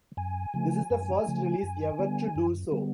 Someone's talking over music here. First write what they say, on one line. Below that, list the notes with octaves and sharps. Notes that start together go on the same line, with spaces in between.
This is the first release ever to do so.
F#2 G#5
C#3 F3 A3
F#2
C#3 F3 A3
F#2
D3 G3 B3
F#2
D3 G3 B3